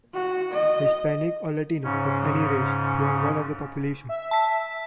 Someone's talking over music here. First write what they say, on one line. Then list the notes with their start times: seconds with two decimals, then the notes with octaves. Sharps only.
Hispanic or Latino of any race were one of the population.
0.14 F#4
0.52 D#5
1.84 G#2 C#3 C#4
4.09 E5
4.31 A5 B6